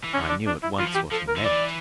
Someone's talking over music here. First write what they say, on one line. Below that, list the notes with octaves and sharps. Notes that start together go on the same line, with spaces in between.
I knew at once what he meant.
E3
D3 C#4
D4
D4
E4
E3 F4
F3
E3 G4
F3 A4
A#4
D3
E3 D5